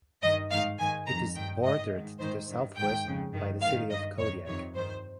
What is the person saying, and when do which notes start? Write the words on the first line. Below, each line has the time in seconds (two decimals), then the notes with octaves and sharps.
It is bordered to the southwest by the city of Kodiak.
0.22 G2 D#3 D#5
0.50 G#2 D#3 F5
0.79 G#2 D#3 G#5
1.07 F2 D#3 A#5
1.35 G2 D#3 G5
1.63 G#2 D#3 D#5
1.92 G#2 D#3
2.20 G#2 D#3 C5
2.49 G2 D#3
2.76 G#2 D#3 G5
3.04 F2 C#3
3.33 G2 D#3
3.61 G#2 D#3 F5
3.90 G2 D#3 D#5
4.18 F2 D#3 C#5
4.47 F2 C3 D#3 C#5
4.75 G2 D#3 C5